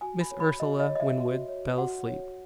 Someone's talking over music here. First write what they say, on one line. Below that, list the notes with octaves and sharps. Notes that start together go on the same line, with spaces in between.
Miss Ursula Winwood fell asleep.
F#4 G#5
B5
C#5
B5
F#4 D#5
D#5
C#5
D#5
E5
F#4
C#5
F#4 F#5
C#5